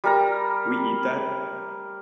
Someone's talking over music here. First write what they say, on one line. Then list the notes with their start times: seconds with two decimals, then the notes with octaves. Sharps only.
We eat that?
0.04 G3 A#4 A#5